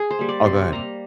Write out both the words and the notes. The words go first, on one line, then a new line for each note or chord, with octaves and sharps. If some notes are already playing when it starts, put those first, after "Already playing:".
Oh, go ahead.
Already playing: G#4
C5
G3 A#3
D5
C3 C6
G3 A#3 A#5